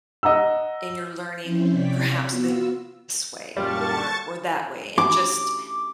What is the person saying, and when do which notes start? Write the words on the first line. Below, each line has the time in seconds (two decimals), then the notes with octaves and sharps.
in your learning, perhaps, this way or or that way, and just
0.23 D#5 F#5 A#5 E6
1.42 F3 C4 C#4 E4 C5
1.70 C3 C#5 D5 G5 B6
2.29 B3 F4 F#4 E6
3.57 F#2 A#2 G3 F4 G4 A5 C#6 A6
4.98 D6